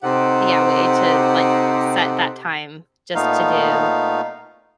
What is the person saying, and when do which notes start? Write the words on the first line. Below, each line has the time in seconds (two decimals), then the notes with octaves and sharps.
yeah, way to, like, set that time just to do
0.03 C3 D#4 G4 A4 C5 F#5
3.15 A#2 A3 B3 D#4 F5